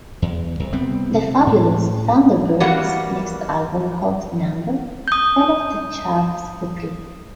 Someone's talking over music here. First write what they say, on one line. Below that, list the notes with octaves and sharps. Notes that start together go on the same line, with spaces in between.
The Fabulous Thunderbirds' next album, "Hot Number", fell off the charts quickly.
E2
C2
C3 G3 B3 C4
C3
A2
E3 G3 A#3 F#4 F#5
D#6 G6